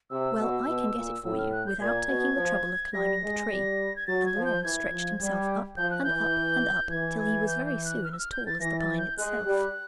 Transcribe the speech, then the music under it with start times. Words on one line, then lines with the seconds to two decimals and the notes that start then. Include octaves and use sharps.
Well, I can get it for you without taking the trouble of climbing the tree,' and Long stretched himself up and up and up, till he was very soon as tall as the pine itself.
0.10 C3 E6
0.38 B2
0.68 B2
0.95 A#2
1.23 A2 E6
1.38 F6
1.52 F#6
1.66 G6
1.80 A#2 G#6
2.08 B2
2.37 F3
2.93 G3 A#6
3.23 G#3
3.50 G3
3.96 G#6
4.07 F#3 A6
4.26 G#6
4.36 F3
4.45 G6
4.64 E3 G#6
4.92 F3
5.21 G3
5.77 F3 G6
5.91 F#6
6.04 E3 G6
6.90 E3 G#6
7.19 G#6
7.47 G6
7.66 G6
7.85 F#6
8.04 F6
8.12 E6
8.18 F6
8.32 G6
8.46 A6
8.61 E3 A#6
8.79 A6
8.98 G6
9.18 G#3 F#6
9.45 G3